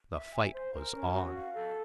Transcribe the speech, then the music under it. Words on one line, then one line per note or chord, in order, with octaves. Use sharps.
The fight was on!
E5
G#5
C5
A#4
C#4
F#4
F5
A4